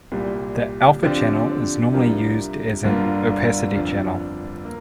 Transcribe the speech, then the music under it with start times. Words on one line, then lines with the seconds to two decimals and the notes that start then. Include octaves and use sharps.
The alpha channel is normally used as an opacity channel.
0.12 C2 A#2 G3
1.03 D3 F3 C4 G4 D5
1.93 C2 C3 F3 D4 A#4
2.84 G1 G2 D3 A#3 F4
3.75 G1 F2 F3 D4
4.65 A#3